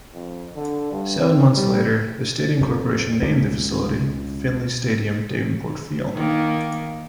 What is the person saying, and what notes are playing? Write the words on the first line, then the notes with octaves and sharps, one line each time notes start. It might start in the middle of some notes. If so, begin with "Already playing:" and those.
Seven months later, the Stadium Corporation named the facility Finley Stadium Davenport Field.
F2
D3
G2
C4
G3
F2
C#2
D#3 A#3